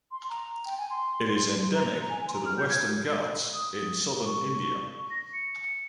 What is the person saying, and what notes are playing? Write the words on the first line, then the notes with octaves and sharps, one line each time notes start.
It is endemic to the Western Ghats in southern India.
C6
A#5
G5
G#5
C6
A#5
G#5
G#5
C6
A#5
F6
G6
G#6
D#6
C#6
C#6
A#6
C#7